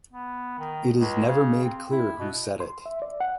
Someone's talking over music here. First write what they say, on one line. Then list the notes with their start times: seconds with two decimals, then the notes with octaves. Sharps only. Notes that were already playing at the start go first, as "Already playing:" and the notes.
It is never made clear who set it.
0.13 B3
0.59 D#3
0.99 C#2
1.27 C#3
1.64 C4
1.91 E4
2.20 B2
2.60 C6
2.86 E5
3.02 D5
3.20 F#5